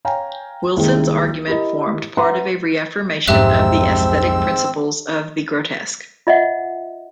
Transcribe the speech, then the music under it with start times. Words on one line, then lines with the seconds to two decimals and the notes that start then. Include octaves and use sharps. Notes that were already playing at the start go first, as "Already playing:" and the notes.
Wilson's argument formed part of a reaffirmation of the aesthetic principles of the grotesque.
0.05 C#5 F5 G5 G#5 A#5
0.77 C2 D#3 G#3 A#3
1.48 E4 G4 A#4 D#5
2.17 B4 E5 F#5 A#5 C6
3.28 B1 F2 G#2 C4 G4 E5 E6 F#6
6.27 F4 D#5 E5 F#5